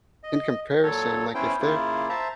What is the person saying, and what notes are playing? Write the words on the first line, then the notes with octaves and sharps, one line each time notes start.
in comparison, like if they're
D#5
A#2 F#3 A4 C#5
B3 C#4 E4 C5 G5
C#3 A#3 E4 F4
C5 E5 A5 A#5